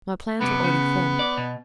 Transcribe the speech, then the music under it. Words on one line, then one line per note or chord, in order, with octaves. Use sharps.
My plans were already formed.
F#2 C3 B3
C#3
D5
B2